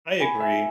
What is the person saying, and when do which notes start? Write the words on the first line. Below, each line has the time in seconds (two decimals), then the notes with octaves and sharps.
I agree.
0.20 G#5 B5
0.40 E5 G#5